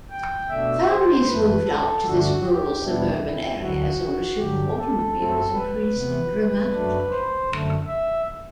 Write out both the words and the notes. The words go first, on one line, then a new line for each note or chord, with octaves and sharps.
Families moved out to this rural suburban area as ownership of automobiles increased dramatically.
G5
B2 A3 D4 E5
C5
F#2 E3 A3 B4
A4
G2 D3 A3 D4 F#4
G4
E2 B2 G3 B3 D4 E4
D2 D3 F#3 F#4
G2 D3 F#3 G4
A4
F#2 F#3 A3 C4
B4
C3 E3 B3
F#2 F#3 A3 D4
C5
F#2 D3 A3
E5